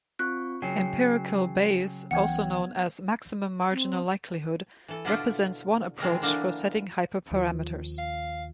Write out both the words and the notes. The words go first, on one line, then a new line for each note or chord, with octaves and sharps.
Empirical Bayes, also known as maximum marginal likelihood, represents one approach for setting hyperparameters.
C4 F4 C#6 F#6
C#3 F#3 G5 G#5 C7
C#2 E3 B3 F#5 G5 G#6
C4
E3 A4
B2 D3 E4 F4 D5 D#5
B2 D#3 E3 G#3 C4 A#4
D3 E3 F#3 A#3 D4
D#2 F3
F5